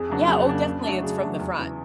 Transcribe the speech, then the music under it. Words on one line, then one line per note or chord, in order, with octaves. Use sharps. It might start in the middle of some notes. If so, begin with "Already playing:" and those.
Yeah, oh, definitely, it's from the front.
Already playing: F2 G#4
C#3 F#3 A#3 D4
F2 G#4
C#3 F#3 A#3 D4
C#3
F#3 A3 D4
C#3 G#4
F#3 A3 D4
E2
C#3 E3